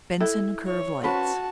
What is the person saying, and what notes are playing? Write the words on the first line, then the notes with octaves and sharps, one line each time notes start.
Benson curve lights!
E4 A4
C#5
C#4 F#4 B4 C5 A5